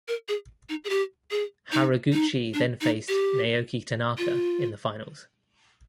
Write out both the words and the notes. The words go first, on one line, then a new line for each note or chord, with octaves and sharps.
Haraguchi then faced Naoki Tanaka in the finals.
A#4
G#4
D#4
G#4
G4
G#4
D#4
D#4
D4
D#4
G4
F4